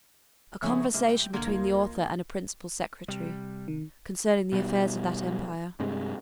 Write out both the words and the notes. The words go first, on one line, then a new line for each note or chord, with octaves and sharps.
A conversation between the author and a principal secretary, concerning the affairs of that empire.
C#3 F3 A3 B3 D#4 G#4 C#5 E5
A2 C3 G#3 A#3 E5
G5
C2 D3 A#3 C6 G#6
F3 D#4 F5
C3 G3
D#3
B2 G3
G2 C3 G#3